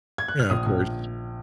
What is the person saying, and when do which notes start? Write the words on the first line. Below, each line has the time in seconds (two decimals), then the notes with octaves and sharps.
Yeah, of course.
0.18 G#6
0.28 F#6
0.40 F6
0.50 A#1 D#6
0.66 A#1